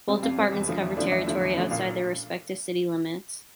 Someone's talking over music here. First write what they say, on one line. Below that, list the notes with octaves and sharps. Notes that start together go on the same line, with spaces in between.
Both departments cover territory outside their respective city limits.
C3 G3 C4
F2 F5
C3 G3 C4
E2
D3 F3 A3
E2 E5
D3 F3 A3 D5
E2 E5
D3 F3 A3
E2
D3 F3 A3
A#2 F5